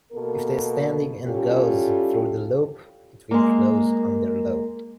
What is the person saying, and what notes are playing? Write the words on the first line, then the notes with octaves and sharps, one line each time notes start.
If the standing end goes through the loop, it will close under load.
B2 A#3 A4 A#4
G3 C#4 E4 F4 G4 A4
G#3 A#3